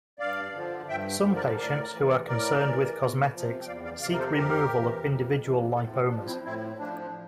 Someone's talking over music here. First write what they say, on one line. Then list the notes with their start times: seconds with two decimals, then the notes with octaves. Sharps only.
Some patients who are concerned with cosmetics seek removal of individual lipomas.
0.19 G2 D5 F5
0.54 D3 F3
0.89 G2 E5 G5
1.23 D3 F3
1.35 A#4 D5
1.58 A2 A#4 D5
1.93 E3
2.28 A2 A#4 D5
2.63 E3
2.97 E2
3.32 C3 F3
3.62 G5
3.66 E2 D5 F5
3.85 D5 F5
4.01 C3 F3 D5 F5
4.12 A#4
4.18 A4 C5
4.36 F2 G4 A#4
4.70 C3 E3
5.06 F2
5.40 C3
5.45 E3
5.75 A2 F4 A4
5.93 C4
6.10 F3 D4
6.27 C4 E4
6.44 A2 C4 E4
6.79 F3 D4